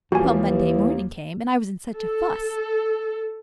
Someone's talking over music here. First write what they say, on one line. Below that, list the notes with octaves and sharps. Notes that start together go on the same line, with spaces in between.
Well, Monday morning came, and I was in such a fuss!
D#2 E3 F3 G3 A#3 F#4 G#5
A4